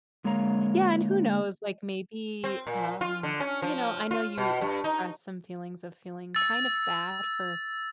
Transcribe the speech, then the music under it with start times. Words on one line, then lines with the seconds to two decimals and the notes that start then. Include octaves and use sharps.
Yeah and, who knows, like, maybe, um you know, I know you expressed some feelings of feeling kind of bad for
0.24 D3 G#3 A#3 C#5 F5 A#5
2.44 C4
2.67 A#2
3.01 F4
3.23 D3
3.40 C#4
3.62 F3
4.11 F4
4.38 B2
4.61 G2
4.84 D#4
6.35 E6 A6